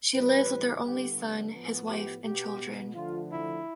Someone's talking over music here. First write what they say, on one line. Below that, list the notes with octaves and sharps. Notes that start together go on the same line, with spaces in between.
She lives with her only son, his wife and children.
A2 E3 G3 B4
D3 G3 B3 G4
A2 F3 B3
G4
B2 B3 G4
D3 F3 A3 F4
E4